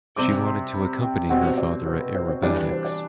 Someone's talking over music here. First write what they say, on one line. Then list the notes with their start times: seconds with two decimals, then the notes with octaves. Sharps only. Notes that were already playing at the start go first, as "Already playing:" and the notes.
She wanted to accompany her father at aerobatics.
0.16 C3 G3 C4 D6
0.38 D6
0.45 C6
0.74 B5
1.01 G5
1.30 B2 G3 C4 F#4 F#5
1.47 C5
1.58 D5
1.86 C5
2.00 B4
2.15 C5
2.28 C5
2.42 E3 G3 D4 D5
2.57 B4
2.71 C5
2.85 D5